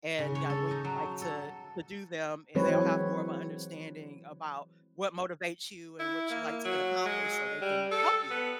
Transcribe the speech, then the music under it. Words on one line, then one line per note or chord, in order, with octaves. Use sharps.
and yeah, when you like to to do them, and they'll have more of an understanding about what motivates you and what you like to get accomplished so they can help you.
C#3
C#5
A4
D#4
F#3
A4
E3 F#3 G#3 C4 B4 C#5
E4
A#3
F#3
G#3
G3
A4
B3